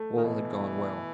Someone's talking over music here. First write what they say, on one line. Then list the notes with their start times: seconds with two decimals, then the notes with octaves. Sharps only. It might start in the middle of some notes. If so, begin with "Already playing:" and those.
All had gone well.
Already playing: A3
0.17 D#3
0.24 B2 E3